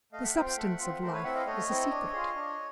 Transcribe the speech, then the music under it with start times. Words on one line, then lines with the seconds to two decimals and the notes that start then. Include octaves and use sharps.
The substance of life is a secret.
0.12 A3 D#5 F5
0.23 E5 F#5
0.35 C4 F4 F5 G5
0.46 F5 G5
0.57 A3 E5 F#5
0.80 C4 F4
1.01 A3 A#4 C5
1.13 B4 C#5
1.24 C4 E4 A4 E5 F#5
1.35 D#5 F5
1.46 A3 C#5 D#5
1.69 C4 E4 A4
1.91 D4
2.13 F4 G#4
2.36 D4